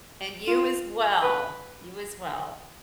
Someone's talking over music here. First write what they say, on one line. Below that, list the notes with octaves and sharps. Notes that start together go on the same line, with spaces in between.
And you as well. You as well.
F4
B4